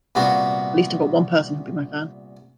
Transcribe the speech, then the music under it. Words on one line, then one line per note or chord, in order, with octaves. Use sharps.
At least I've got one person who will be my fan.
C2 A#2 B3 F#4